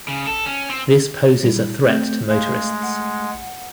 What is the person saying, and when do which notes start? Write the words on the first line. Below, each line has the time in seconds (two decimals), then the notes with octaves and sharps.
This poses a threat to motorists.
0.08 C#3
0.27 A4
0.46 C#4
0.70 C4
1.43 A#2 G3 E4
1.84 A3 C4 G6
2.29 G#3 F5
2.82 F#5